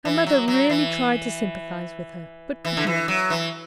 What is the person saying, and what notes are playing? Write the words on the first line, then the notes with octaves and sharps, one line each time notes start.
Her mother really tried to sympathise with her, but could not.
E3
F#3
F#3
E3
E3
D3
E3
F#3
E3